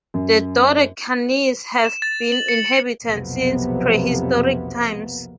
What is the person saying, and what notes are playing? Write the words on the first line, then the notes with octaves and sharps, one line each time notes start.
The Dodecanese have been inhabited since prehistoric times.
F#2
E7
A6
F#7
C#7
B1 F2 C3 A#3 B3